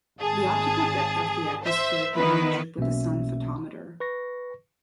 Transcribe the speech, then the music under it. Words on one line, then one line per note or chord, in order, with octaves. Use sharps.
The optical depth of the atmosphere can be measured with a sun photometer.
G#1 G#4 A5
C5 E5
D#3 B3 E4 B4
B1 B2 A#3 C#4 E5
B4 C#6 A#6